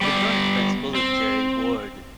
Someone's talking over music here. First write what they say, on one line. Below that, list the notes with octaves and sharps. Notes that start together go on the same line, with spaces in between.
The current principal is Gerry Ward.
G3 B3 D5
C4